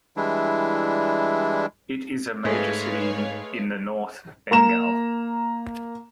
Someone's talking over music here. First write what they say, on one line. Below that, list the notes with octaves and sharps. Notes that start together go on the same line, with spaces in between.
It is a major city in the north Bengal.
E3 G3 G#3 D4 E4
G#2 G#3 A3 B4 C#5 F5
A#3 A#5 E7